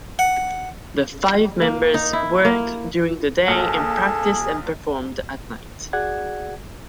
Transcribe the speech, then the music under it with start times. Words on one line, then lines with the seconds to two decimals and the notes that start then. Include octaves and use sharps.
The five members worked during the day and practiced and performed at night.
0.19 F#5
1.62 A#3
1.94 D#4
2.13 E4
2.45 A#3
3.48 A#1 G#4 A4
5.93 F#4 G#4 D5 F#5 G#6